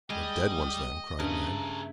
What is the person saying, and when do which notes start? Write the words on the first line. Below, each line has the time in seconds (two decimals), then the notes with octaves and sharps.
"We're dead ones, then!" cried Ned.
0.10 G3 G#3 D#5 G5
1.19 G2 C#3 A3 G#4 A#4 A#5